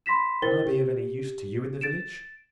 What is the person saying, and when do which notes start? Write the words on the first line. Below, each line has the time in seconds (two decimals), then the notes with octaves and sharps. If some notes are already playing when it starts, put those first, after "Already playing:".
Can I be of any use to you in the village?
0.06 B5 C6 A#6 B6 E7
0.42 E4 A#4 C5 G5 A6 G7
0.66 G4
1.81 A6 D7 E7